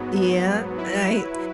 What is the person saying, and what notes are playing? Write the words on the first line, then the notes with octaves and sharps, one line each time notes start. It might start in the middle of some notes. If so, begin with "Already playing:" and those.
yeah, I
Already playing: G#2 F#3 B3
F#3 E4 B4